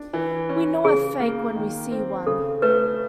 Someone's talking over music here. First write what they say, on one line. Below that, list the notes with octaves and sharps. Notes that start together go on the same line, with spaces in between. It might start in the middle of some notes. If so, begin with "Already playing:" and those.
We know a fake when we see one.
Already playing: D4
E3
C#4
C#3 G#4
A#3
D#3
C4
C#3 A4
A3 B4